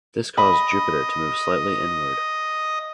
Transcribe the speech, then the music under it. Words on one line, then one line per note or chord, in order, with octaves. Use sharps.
This caused Jupiter to move slightly inward.
D#5 B5